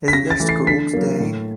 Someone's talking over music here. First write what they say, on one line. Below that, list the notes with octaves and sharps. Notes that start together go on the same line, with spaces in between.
Is there school today?
B6
C#3 A#6
A6
E3 A3
C7
D3 B6
F#3 A#3
A2